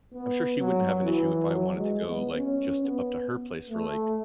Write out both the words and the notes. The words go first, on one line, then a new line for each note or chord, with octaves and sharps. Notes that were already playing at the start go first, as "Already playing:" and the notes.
I'm sure she wouldn't have an issue if I wanted to go, like, just up to her place for, like,
B3
F#3
E3
F#3
G#3
B3
C#4
B3
A3